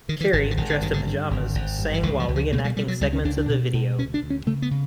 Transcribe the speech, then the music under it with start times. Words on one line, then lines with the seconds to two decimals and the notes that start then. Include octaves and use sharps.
Carey, dressed in pajamas, sang while re-enacting segments of the video.
0.08 D3 D#3
0.21 E3
0.33 G#1 D3
0.51 D3
0.57 G#1 D#3
0.69 D3
0.82 G2 D#3
0.93 D3
1.06 D3
1.31 G#1
1.55 G#1
1.79 G2
1.94 E3
2.03 C#2 D#3
2.20 F3
2.28 C#2
2.36 F3
2.52 B2 A#3
2.58 G#3
2.64 G3
2.76 B2 G3
2.88 F#3
3.01 C#2 G3
3.13 C#4
3.24 C#2 D4
3.37 D4
3.49 B2
3.73 B2
3.98 D2 C#4
4.14 D4
4.23 D2
4.30 C#4
4.46 C#3 A3
4.62 B3
4.71 C#3